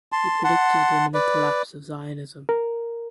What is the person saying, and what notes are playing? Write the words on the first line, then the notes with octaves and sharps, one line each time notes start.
He predicted the imminent collapse of Zionism.
A5 C6
F#5 A5 C6
B4 D5
A#4